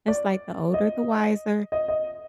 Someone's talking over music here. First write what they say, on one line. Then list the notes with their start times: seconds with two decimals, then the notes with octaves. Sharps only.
It's like the older, the wiser,
0.08 D5
0.74 D#5
1.72 D#5
1.88 D#5